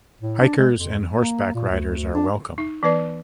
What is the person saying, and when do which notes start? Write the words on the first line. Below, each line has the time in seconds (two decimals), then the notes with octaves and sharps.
Hikers and horseback riders are welcome.
0.21 A2
0.41 D4
0.58 G#3
0.74 F2
1.18 A#3
1.55 A#2
1.69 D2
2.15 D4
2.58 D#4
2.83 E3 B3 B4 D5